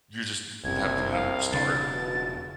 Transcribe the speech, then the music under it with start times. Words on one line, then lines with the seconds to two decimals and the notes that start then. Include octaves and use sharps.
You just st have to, you know, start
0.64 F#1 C2 G2 C3 G#6
1.11 F5
1.52 E1 C#3 D4 A6
1.90 B2